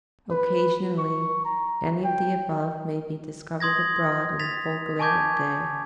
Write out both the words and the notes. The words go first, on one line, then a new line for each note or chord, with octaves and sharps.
Occasionally any of the above may be discovered abroad in the full glare of day.
B4
C#6
A#5
G5
C6 D#6 G#6 A#6
A6 B6 F7
G#5 A5 C#6 D6 G6 G#6